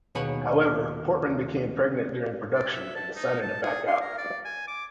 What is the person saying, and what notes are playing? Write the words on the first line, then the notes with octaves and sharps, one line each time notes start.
However, Portman became pregnant during production, and decided to back out.
D#2 B2 B3 G#4 C#5 B5
D5
E5
A5
D#4
A5
G#4
C6
A#4
D5
G#5
D6